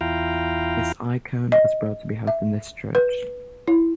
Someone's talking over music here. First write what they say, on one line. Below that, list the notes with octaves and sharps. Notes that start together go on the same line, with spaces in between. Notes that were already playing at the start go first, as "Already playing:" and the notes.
This icon was brought to be housed in this church.
E2 E4 F4 F5 G5 A#5
D#5
E5
B4
E4